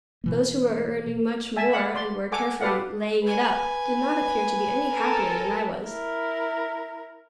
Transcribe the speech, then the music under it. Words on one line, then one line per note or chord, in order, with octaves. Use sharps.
Those who were earning much more, and were carefully "laying it up," did not appear to be any happier than I was.
B2 E3 A#3
E5 G#5 A5
D5 F5 F#5 B5
D5 C6
A4 F#5 G#5 D6
G4 A4 B4 D5 F5 F#5
B4 G#5
A4 A#4
E4 A#4